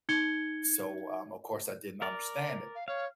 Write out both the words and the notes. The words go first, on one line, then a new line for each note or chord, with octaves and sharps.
So, um, of course I didn't understand it.
D#4 G#6 C#7 G7
A#4 D5
F5
C#5 F5